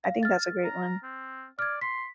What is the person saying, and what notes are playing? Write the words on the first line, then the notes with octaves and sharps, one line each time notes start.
I think that's a great one.
F5
F6 A6
A#5
C4
D5 F6 G#6
C6 B6